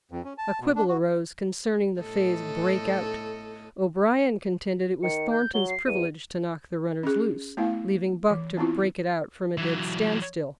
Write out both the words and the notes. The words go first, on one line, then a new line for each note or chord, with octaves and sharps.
A quibble arose concerning the phrase "break out." O'Brien contended it was Thornton's privilege to knock the runners loose, leaving Buck to "break it out" from a dead standstill.
F2
C#4
A5
B2
D4
F#4
A2 A4 D#5
D#3 C#7
G6
F#3 G7
C7
E2 D#7
C#4 G#4
A3 B3 E4 F5
E3
B3 C4 E4 F4
E3 F#3